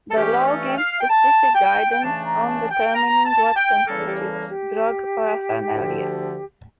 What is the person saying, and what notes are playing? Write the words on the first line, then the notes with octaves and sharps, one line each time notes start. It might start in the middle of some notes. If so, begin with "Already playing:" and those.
The law gives specific guidance on determining what constitutes drug paraphernalia.
A4
G2 E3 A3 C#4 G4
A4
G5
F5
G5
A5
G5
G5
C#3 E3 A3 D4 A5
A#5
A5
G5
A#5
A5
G5
E2 C#3 E3 G3 A#3 A4
G4
A4
G4
D2 D3 F3